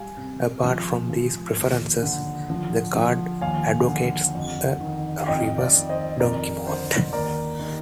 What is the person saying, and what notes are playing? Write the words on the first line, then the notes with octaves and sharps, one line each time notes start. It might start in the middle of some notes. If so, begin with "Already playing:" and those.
Apart from these preferences, the card advocates a reverse Donkey Vote.
Already playing: G3 F5 G#5
C3
F3
F3
D#2
D3
F3
F3
D#2 F5 G#5
D3
F2
D#3
F5
F2 D#5 G5
D5 F5
D#3
C5 D#5
F2 A#4 D5
D3 C5
D#2 A#4 D5
D#3